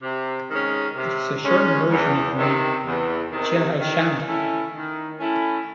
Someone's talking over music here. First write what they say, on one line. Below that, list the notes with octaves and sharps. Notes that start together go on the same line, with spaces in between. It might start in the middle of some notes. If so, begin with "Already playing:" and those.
It is a shortened version of the name Jehoshama.
C3
D#3 G#3 C#4
C3
D#3 G#3 C#4
E2
C3 D#3
E2
C3 D#3
D#3
A3 C#4 E4
D#3
A3 C#4 E4